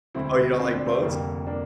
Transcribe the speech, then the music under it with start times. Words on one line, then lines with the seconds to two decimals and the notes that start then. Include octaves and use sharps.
Oh, you don't like boats?
0.15 E1 D2 D3 C4 E4
0.59 C4
0.73 D4
0.86 A3 C4
1.03 F1 F2 D3 G3 A#3
1.47 A#3 D4